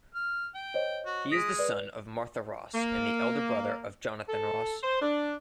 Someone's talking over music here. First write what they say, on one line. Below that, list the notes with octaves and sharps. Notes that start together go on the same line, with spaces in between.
He is the son of Martha Ross and the elder brother of Jonathan Ross.
F6
G5
C5 C#5 D#5
F#4
G#3 D#6 A#6 B6 D7
B4 D5
A#3
A4
C5
D4